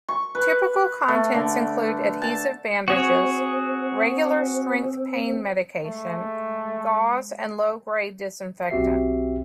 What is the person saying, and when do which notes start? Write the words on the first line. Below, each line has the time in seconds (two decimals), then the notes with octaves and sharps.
Typical contents include adhesive bandages, regular strength pain medication, gauze and low grade disinfectant.
0.08 C#6
0.35 B4
1.08 A3
1.34 D3
2.22 A5
2.88 C4 F#4 G#4 C#5
5.85 G#3 A3
8.70 B1 C4 F#4 G4 E5 C7